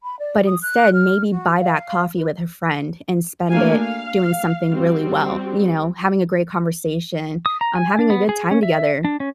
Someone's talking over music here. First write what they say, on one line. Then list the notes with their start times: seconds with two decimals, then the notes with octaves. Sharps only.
but instead, maybe buy that coffee with a friend and spend it doing something really well, you know, having a great conversation, um, having a good time together.
0.04 B5
0.19 D5
0.47 D#6
0.61 F#6
0.93 F6
1.29 F#4
1.59 F5
2.16 B4
3.50 A3 A#3 D4 F#4 F5 G#5
3.78 F5
4.71 G3 C4 F#4
7.46 D#6
7.61 A#5
7.75 G#5
7.99 D4
8.10 B3
8.29 G#4
8.51 C#4
8.63 E5
9.05 D4
9.20 C#4